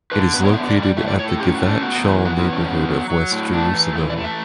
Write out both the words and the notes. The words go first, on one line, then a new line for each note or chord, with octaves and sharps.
It is located at the Givat Shaul neighborhood of West Jerusalem.
D3 B4
B3 B4
C#5
D3 E5
D5
G3
D5
A2 E5
D5
A2 C#5
A4
C#4 G4
F#4
A3
D4
B3 F#4
E3
B3 F#4
E4
E3
C#4
B3
F#3
F#3
A2
A3 D4
E3
E3 A4
D5
A3
E5